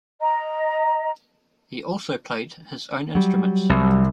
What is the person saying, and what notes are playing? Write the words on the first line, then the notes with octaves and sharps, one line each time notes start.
He also played his own instruments.
D#5 A#5
F#3 G3
C2